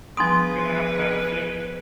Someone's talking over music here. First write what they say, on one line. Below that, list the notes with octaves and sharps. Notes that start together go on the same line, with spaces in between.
You're gonna have to have a ship
F3 B3 D4 G#4 B4 C6 D#6